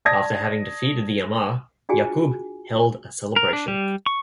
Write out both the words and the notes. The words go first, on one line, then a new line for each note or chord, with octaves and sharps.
After having defeated the Ammar, Ya'qub held a celebration.
D5 A5 D#6 G#6 A#6
D4 F4 F#4 G#4 G5 G#5
A#4
D4
G3
C#6